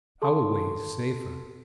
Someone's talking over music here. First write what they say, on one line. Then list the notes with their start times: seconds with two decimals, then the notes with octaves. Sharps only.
Our way is safer.
0.22 G#4 A4 A5 C6